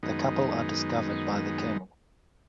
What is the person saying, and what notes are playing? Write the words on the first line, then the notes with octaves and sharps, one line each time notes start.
The couple are discovered by the king.
F#2 D#3 G#3 B3 D#4